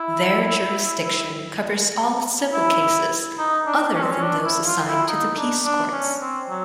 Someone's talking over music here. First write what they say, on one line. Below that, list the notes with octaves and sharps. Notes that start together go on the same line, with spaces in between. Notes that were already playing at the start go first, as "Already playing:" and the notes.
Their jurisdiction covers all civil cases other than those assigned to the peace courts.
Already playing: E4
E4
D#4
D4
C#4
C4
C#4
D4
E4
F4
E4
D#4
D4
D4
C#4
C4
F#3